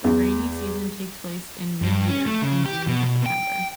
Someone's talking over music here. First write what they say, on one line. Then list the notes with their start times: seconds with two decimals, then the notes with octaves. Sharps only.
The rainy season takes place in mid-year, from June to September.
0.04 E2
1.82 G2
2.09 C#4
2.27 A3
2.43 C#3
2.66 G4
2.87 B2
3.04 B2
3.26 G5